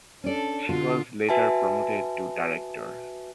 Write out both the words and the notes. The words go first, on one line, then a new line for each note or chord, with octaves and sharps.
She was later promoted to Director.
C#4 D4 A4 D5
D3 F4 F#4 A4
F#4 B4 E5 G#5 A5